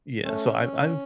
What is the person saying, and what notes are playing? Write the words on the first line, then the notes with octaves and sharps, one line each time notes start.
Yeah, so, I've I've
A3 C#4